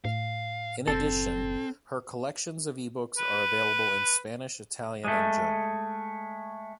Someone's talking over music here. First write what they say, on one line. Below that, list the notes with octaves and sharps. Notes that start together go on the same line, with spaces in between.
In addition, her collections of ebooks are available in Spanish, Italian and German.
A2 F5
F#1 C4 A4
B4
G#3 A3